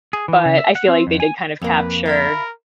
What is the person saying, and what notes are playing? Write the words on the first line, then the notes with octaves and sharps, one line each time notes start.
but I feel like they did kind of capture
G#4
E3
C#3
E5
F#5
C4
F2
G#5
F2 A#3 B4
E4 F4 A#4 B5